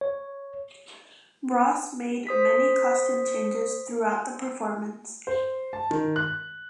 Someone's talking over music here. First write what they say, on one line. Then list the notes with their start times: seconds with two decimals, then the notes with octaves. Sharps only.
Ross made many costume changes throughout the performance.
0.01 C#5
2.27 C5 D#6 B6
5.27 C5
5.73 A5
5.91 D#3
6.16 F#6